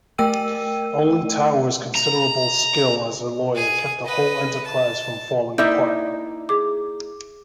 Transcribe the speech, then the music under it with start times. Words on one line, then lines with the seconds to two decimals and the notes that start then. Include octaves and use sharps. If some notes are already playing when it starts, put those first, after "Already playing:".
Only Tower's considerable skill as a lawyer kept the whole enterprise from falling apart.
0.18 A3 A#4 G5 E6 D#7
1.96 A#5
3.55 G#4 G#5
4.05 B4 D#5
4.64 A5
5.58 A#3 D#4 E4 D5 E5 G6
6.49 G#4 D6